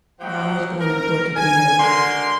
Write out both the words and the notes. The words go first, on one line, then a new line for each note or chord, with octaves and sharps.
Brown was born in Port Antonio.
F3 F#3 D#4 G4 F#5 G5
A#4
G#5
D3 G#3 F#4 A#4 C6